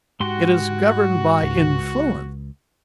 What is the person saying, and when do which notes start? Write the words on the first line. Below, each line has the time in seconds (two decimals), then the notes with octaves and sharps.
It is governed by influence.
0.20 G#2 F#4 G4 C6
1.43 C#2